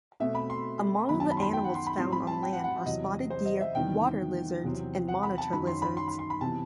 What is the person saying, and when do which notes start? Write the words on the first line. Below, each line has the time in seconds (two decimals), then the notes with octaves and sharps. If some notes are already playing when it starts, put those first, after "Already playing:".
Among the animals found on land are spotted deer, water lizards and monitor lizards.
0.20 B2 A3 C4 E5
0.35 B5
0.50 C6
1.09 F#2 D#3 F#3 B3 B5
1.20 A5
1.31 B5
1.37 C6
1.42 B5
1.53 G5
1.64 F#5
1.75 C6
1.87 B5
1.98 A2 G3 C4 C6
2.12 B5
2.27 A5
2.42 G5
2.53 F#5
2.64 F#5
2.86 E2 C3 F#3 D#5
3.30 C5
3.46 D#5
3.61 E5
3.75 E2 C3 D#3 G3 B3 G5
4.63 E2 C3 F#3 C4
5.08 F#5
5.23 B5
5.38 A5
5.52 F#2 D#3 F#3 B5
5.67 C6
5.82 B5
5.97 C6
6.08 B5
6.19 C6
6.30 B5
6.41 C3 E3 B3 A5